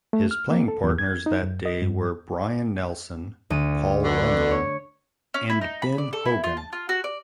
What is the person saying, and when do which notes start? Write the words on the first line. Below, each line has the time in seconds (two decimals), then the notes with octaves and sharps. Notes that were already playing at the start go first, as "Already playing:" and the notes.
His playing partners that day were Byron Nelson, Paul Runyan, and Ben Hogan.
0.13 A3
0.31 F6
0.51 A#3
0.68 A4
0.84 E2
0.99 G#6
1.26 D#4
1.43 F#2
1.66 D#5
1.82 G2
3.50 D2 D#7
4.03 B2 D3
4.51 C#5
5.34 C#4
5.50 E4
5.61 D#4
5.82 B5
5.98 D5
6.13 A4
6.25 E4
6.44 F4
6.57 A5
6.73 F4
6.89 F#4
7.04 D5